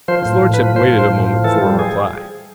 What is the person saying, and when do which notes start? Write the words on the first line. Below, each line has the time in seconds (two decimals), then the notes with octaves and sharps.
His lordship waited a moment for a reply.
0.08 F3 C5
0.25 A2
0.42 A2
0.54 B4
0.59 F3
0.76 F3 C5
0.93 A2
0.99 C5
1.11 A2
1.28 F3
1.44 E3 A4
1.62 G3
1.79 G#4